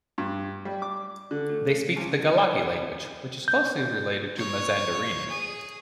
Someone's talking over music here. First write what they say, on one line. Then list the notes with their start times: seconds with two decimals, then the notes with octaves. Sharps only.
They speak the Gilaki language, which is closely related to Mazandarani.
0.18 G2
0.65 G3
0.82 D6
1.31 D3
1.49 A3
1.96 C#2
3.48 G6
4.37 C#5
5.30 G#4